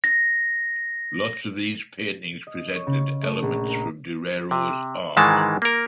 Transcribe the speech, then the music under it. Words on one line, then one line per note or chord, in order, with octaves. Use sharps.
Lots of these paintings presented elements from Durero’s art.
A#6
D#5
C#5
C#3
A3
A#1
A#4
C3
G#2 D#3 E3 G#3 A5
A#3 A#4